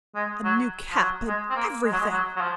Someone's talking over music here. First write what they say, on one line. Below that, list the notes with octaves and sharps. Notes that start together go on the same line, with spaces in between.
A new cap, and everything!'
G#3
F#3
F3
F#3
G#3
C4
A#3
G#3
F#3
G#3
F#3
F#3
F3